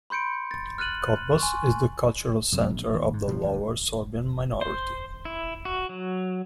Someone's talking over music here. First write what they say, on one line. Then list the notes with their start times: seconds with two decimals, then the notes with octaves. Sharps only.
Cottbus is the cultural centre of the Lower Sorbian minority.
0.10 B5 C6 G6 C#7 D7
0.51 A6
0.78 F6 F#6 A6 D#7 F#7
1.38 G#5 C6 C#6
2.52 F#2 C3
2.70 A#1
2.94 D#2
3.13 G#2
3.27 B2 E3 F3
3.43 D2
4.61 C5
5.25 E4
5.65 F#4
5.89 F#3